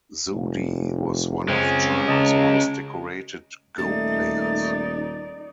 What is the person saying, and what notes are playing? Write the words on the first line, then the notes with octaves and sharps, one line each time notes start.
Zude was one of China's most decorated Go players.
F1
F#2 C#3 G#3 C4 C#4
C#3 D#5 A5 A#5
D#1 A3 D#4 D5 A6